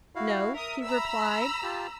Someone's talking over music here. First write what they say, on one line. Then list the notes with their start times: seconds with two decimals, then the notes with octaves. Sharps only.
"No," he replied.
0.15 E4 F#4 F5
0.54 A#4 E5 D#6
0.84 A#5 B5 E6
1.63 F4 G4 A5